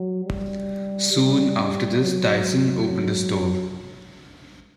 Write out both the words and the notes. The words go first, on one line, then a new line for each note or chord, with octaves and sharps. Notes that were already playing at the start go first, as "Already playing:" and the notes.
Soon after this, Tyson opened a store.
Already playing: F#3
G3
G3
F#3